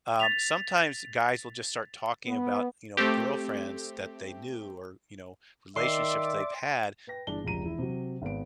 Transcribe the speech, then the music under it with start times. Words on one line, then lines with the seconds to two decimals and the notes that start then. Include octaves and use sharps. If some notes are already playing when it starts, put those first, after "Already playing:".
Um, sometimes guys will just start talking about, you know, girlfriends that they knew or, you know, relationships they've had
0.20 A6 B6 F7
2.26 B3
2.97 A3 C4 G4
5.76 D#3 D5 E5 C6
7.07 B4 G5 A#6
7.27 G1 E3 D4 G#4 A5 G7
7.44 F1 C#2 A#5 D#7
7.63 E1 E4
7.78 C3 F#3
8.22 G#1 B3 D7